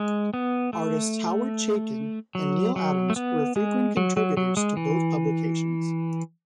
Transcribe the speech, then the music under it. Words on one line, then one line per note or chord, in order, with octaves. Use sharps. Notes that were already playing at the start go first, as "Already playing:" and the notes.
Artists Howard Chaykin and Neal Adams were frequent contributors to both publications.
Already playing: G#3
B3
A3
F#3
F#3
A3
B3
G#3
F#3
F#3
F#3
G#3
E3